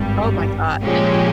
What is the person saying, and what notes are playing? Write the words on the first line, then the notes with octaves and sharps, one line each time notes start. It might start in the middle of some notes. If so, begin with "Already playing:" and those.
Oh my gosh.
Already playing: G#1 G2 G3
A#2 F3 G#3 C#4 G4